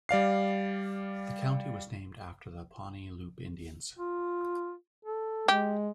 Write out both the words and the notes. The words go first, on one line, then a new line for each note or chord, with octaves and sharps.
The county was named after the Pawnee Loup Indians.
G3 D5 F5 C7
F4
A4
G#3 G4